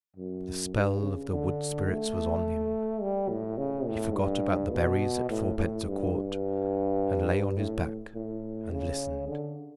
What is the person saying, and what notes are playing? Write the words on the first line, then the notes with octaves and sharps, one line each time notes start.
The spell of the wood spirits was on him; he forgot about the berries at fourpence a quart, and lay on his back and listened.
F#2
G2
C#3
D3
A3
G3
A2
C#3
A2
G2
B2
A2
A2
G2
G2
A2
A2
C#3
D3